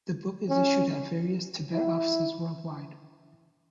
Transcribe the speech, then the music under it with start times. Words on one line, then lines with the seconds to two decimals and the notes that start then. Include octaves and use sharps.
The book is issued at various Tibet offices worldwide.
0.49 C#4
1.73 E4